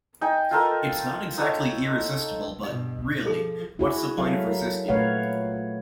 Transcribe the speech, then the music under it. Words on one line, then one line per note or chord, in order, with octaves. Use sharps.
It's not exactly irresistible, but, really, what's the point of resisting it?
D#4 G5 G#5
F4 A4 A#4 D#5
D#4 A4 C#5
G2 B2 D#5
F3 G#4 A4
E4 F#4 G#4
F#3 A4 E5 F5
A#4
A#2 A3 B4 C#5 F5 F#5